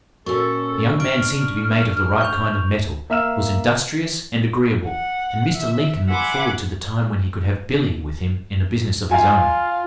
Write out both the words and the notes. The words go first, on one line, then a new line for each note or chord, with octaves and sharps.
The young man seemed to be made of the right kind of metal, was industrious, and agreeable, and Mr. Lincoln looked forward to the time when he could have "Billy" with him in a business of his own.
A#2 C#4 F#4 A4 A#4 C#5 C#6
D4 F6 D7
C#6 G6 F7
A#3 E5 E6 F6 E7
F#5
E5
E5 F#5 G#5 B5 C6 D6
F4 F5 G#5